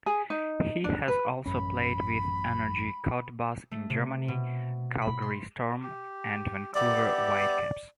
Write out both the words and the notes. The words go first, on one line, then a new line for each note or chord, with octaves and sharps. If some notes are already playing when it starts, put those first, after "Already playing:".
He has also played with Energie Cottbus in Germany, Calgary Storm, and Vancouver Whitecaps.
G#4
D#4
D4
B4
A1 F#2 C#4 B5
A3
C3
B2
B5
C6
G4
B3 G4 D5 E5